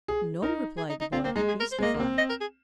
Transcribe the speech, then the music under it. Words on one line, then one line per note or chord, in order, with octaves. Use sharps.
"No," replied the boy, mystified.
G#4
D#4 A#4
G#4
D#4
D#4
C4 F4
A#3 C4
G#3 D#4
G#4
A#4
C5
G#3
A#3 D#5
A#3
C4
D#5
A#4
G#4